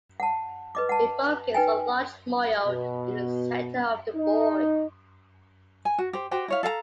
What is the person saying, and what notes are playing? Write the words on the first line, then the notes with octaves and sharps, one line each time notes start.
It focused on large moyo in the center of the board.
F#5 A5
B4 D#5 D6
F#5 A5
D#4 B4 G5 G#5
B2
D#4
G#5
F#4
G4 C5
F#4 G4 C5 G5
E4 C#5 F5
A4 F5 F#5 A#5